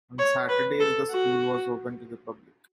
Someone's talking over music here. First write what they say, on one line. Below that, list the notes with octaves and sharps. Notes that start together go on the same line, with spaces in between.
On Saturdays, the school was open to the public.
C#5
B4
A4
F#4